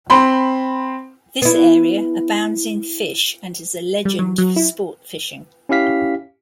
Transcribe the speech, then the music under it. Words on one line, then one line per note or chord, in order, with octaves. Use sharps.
This area abounds in fish and is a legend for sport fishing.
C4 B5 C6
B3 E4
G3
F#3
F#3
E4
C#4 E4 G4 F5 B6